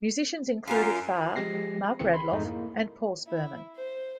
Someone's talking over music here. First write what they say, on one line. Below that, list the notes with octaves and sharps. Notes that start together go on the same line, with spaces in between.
Musicians included Farr, Mark Radloff and Paul Sperman.
F#2 F4 G#4 A#4
F3 G#3 G4 A#6 C7
C#2 C#3 E3 C4 C#7
B5 C6
F2 G#2 G#3 A3 D#4
A#3 E4
E4
C5